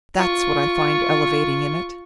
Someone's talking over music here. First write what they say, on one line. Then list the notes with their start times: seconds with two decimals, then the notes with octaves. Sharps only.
That's what I find elevating in it.
0.17 F4 C#6